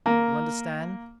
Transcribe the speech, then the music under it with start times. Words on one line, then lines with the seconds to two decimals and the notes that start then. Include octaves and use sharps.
You understand?
0.06 A#3